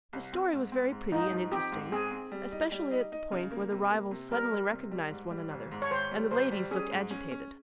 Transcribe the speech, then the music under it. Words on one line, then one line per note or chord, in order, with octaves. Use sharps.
The story was very pretty and interesting, especially at the point where the rivals suddenly recognized one another; and the ladies looked agitated.
C2
C4
G#2
C4
G#2
G#2 D#4
F3
C4 G4
G#2
C4 G#4
C4
G3
D#4
G3
D#4
D#4
C#3
A#3
C3
A#3
C3
G3 A#4
G3
C3
G3
G#2
G3
G#1
G#2
C#5
G#1 C5
G3
G#1 C5
G3
C#4 G#4
G#2
C#4
C#4